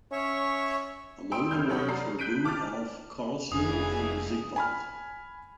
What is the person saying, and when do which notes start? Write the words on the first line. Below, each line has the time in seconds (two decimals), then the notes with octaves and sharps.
Among the warriors were Bue, Ulf, Karlsevne and Sigvald.
0.12 C#4 C#5 E5 C#6
1.32 G5 B5 C6 D#6 E6 D7
1.51 G#1 F6 G6
1.68 F#3 A4 C#5 F#5 B5 D#6
1.88 D5 A#5 C7
2.19 F#6 G6 B6 D7 D#7
2.44 A5 D6 F6 F#6 A6
3.52 F1 D#2 D3 E3 G#4 D#6
4.56 G#5 B5 F6